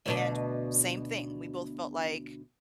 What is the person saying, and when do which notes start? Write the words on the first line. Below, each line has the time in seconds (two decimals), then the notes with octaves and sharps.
And same thing, we both felt like
0.06 D2 B2 D4